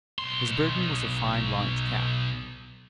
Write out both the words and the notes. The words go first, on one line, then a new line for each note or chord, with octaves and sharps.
His burden was a fine large cat.
B1 C6